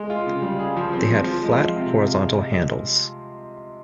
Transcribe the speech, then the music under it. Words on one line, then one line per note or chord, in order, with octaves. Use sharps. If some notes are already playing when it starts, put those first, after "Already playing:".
They had flat, horizontal handles.
Already playing: G#3
F4
C#3
G3
G#4
F3
C4
F3
F3
G#3
F4
C3